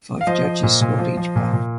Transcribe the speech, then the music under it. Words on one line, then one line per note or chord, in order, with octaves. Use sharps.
Five judges scored each bout.
F5
F3 C5 D#5
F3
A#2
A#2
F3
F3
A#2
A#2